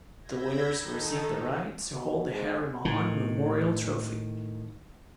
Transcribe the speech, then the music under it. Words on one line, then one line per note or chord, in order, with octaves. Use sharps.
The winners receive the right to hold the Harry Mahon memorial trophy.
B5 E6 G6 G#6 A#6
D#3 D#4 A4
B2
B2
G#2
A2 D#3